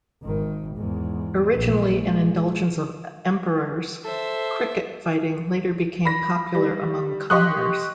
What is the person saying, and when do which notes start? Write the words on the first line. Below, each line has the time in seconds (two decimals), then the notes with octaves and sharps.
Originally an indulgence of emperors, cricket fighting later became popular among commoners.
0.23 G#1 D#3
0.76 E2 G#2
1.53 A#1
1.95 G#3
4.05 A4 C5 E5
6.05 B5 A#6
6.55 G3
7.30 G4 D#5 C6 C#6 D#6 F#6